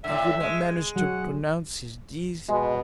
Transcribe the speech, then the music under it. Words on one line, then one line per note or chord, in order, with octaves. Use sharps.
He could not manage to pronounce his Ds.
A2 D3 E5
G#3
F#3 F#5
B2 G#3